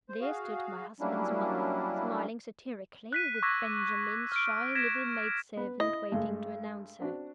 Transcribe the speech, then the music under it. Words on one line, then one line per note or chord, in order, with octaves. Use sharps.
There stood my husband's mother, smiling satirically, with Benjamin's shy little maid-servant waiting to announce her.
C5
F#4 G#4 F5
F#3 G3 A#3 C#4 D4 E4
F#6 B6 D#7
C#6 D6 E6 G#6 A#6 B6
F6 D7
G#6 A#6 B6 E7
B3 B4
E4 D#5
G2 G#3 A3
C4 D4 F#4